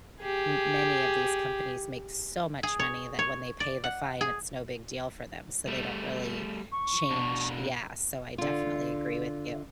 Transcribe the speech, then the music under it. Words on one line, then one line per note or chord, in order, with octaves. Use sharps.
m many of these companies make so much money that when they pay the fine, it's no big deal for them, so they don't really change yeah, so, I definitely agree with you.
G4 G#4
G#4
C#5
C#5
D5
F#5
G#4
G3 A3
C#6
B2 D4
D3 F4